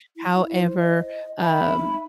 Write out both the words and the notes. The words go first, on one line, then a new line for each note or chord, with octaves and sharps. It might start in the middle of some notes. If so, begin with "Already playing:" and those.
However, um,
E4
C5
D#5
E5 B5
D#4